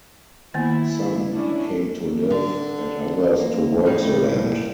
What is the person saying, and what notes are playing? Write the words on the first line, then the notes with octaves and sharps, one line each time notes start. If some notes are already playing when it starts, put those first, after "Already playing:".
Some came to live and others to work the land.
D#3 A#3 B3 E4
C#4 D4 E4
D3
A#3
F2 A2 G3 D#4 F5